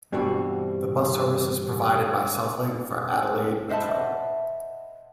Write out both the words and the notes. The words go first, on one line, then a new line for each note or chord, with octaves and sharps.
The bus service is provided by SouthLink for Adelaide Metro.
G2 B2 E3 G3 C4 F#4
C5 D#5 E5 F#5 A5 B5